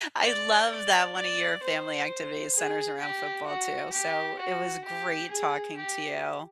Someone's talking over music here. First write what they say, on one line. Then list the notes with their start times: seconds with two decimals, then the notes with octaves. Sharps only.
I love that one of your family activities centers around football too. So it was great talking to you.
0.24 D5
0.69 D5
1.16 D5
1.63 C5
2.55 G#4
3.00 G4
3.47 F#4
3.93 G4
4.39 F#4
4.85 G4
5.31 G#4
5.77 G4